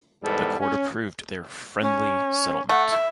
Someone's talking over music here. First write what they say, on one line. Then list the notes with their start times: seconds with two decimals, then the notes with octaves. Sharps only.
The Court approved their "friendly settlement".
0.22 E2 G#2 G3 B3 A4
0.59 C#4
1.82 C#4
2.69 A3 F#5
2.90 E5